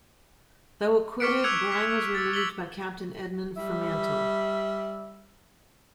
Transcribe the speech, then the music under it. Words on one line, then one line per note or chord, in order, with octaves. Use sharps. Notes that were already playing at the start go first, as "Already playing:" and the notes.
Though acquitted, Brine was relieved by Captain Edmund Fremantle.
C#6 D6 F6 B6 C#7 D7
D6 E6 F#6 G#6 C#7 F7
B6
E6 A6
E6 B6 F#7 G7
G3 E5